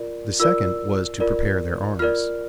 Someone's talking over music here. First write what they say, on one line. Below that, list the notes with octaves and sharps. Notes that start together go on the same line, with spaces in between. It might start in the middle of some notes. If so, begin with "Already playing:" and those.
The second was to prepare their arms.
Already playing: F4 A#4 D5
F4 A#4 D5 E6
F4 A#4 D5
F4 A#4 D5 F6